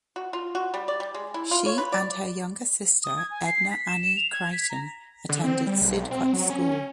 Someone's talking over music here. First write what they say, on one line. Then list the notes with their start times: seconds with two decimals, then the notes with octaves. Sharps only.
She and her younger sister Edna Annie Crichton attended Sidcot School.
0.16 F#4
0.33 F4
0.55 F#4
0.74 G3
0.88 D5
1.00 G3
1.14 G#3
1.34 E4
1.51 F4
1.66 C#5
1.78 B4
1.92 D5
3.04 D#6
3.18 G#6
3.31 G#5
3.46 C7
3.71 B6
3.88 E7
4.16 F7
4.32 G#6
4.53 B6
4.70 A#5
5.29 D3
5.44 C4
5.66 G3
5.81 B1
6.11 C4
6.33 F#3
6.50 C#4